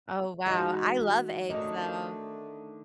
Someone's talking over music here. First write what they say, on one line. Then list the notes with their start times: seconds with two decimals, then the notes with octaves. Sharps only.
Oh, wow, I love eggs, though.
0.46 E3 G#3 D#4 F#4 F#5
1.50 D3 D#3 A3 C#4 D#5